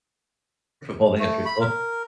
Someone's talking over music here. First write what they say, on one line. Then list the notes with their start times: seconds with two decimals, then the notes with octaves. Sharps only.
For holding up your phone.
1.19 A3
1.45 B5
1.61 A#4